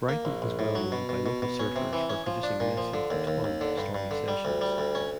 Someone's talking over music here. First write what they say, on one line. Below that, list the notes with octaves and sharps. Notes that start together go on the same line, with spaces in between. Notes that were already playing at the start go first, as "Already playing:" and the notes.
Brighton is well known by local surfers for producing messy but fun 'stormy sessions'.
A#3
A#1
A#1
A2
F#3
B2
B2
B2
B2
C#4
C3
E3
C#4
F3
D4
A#2
F3
D3
D#2
D#2
D#2
D3
G2
G2
D3
G3
D2
G3
D2
C#4